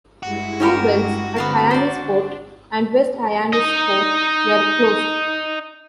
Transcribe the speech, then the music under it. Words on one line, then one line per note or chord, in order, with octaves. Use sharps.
Two wells, at Hyannisport and West Hyannisport, were closed.
G2 G#3 E4 F#4
C#4 G4 A#4
D3 B3 C4 F5 A5
D4 C5 D5
D#4 D#5